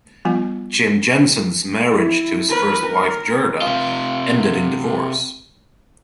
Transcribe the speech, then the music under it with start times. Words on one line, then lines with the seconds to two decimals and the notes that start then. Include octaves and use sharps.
Jim Jensen's marriage to his first wife Gerda ended in divorce.
0.25 F3 G3 B3 F4 G#5
1.93 E4
2.49 A#4 B4
2.84 A#4
3.62 C3 F4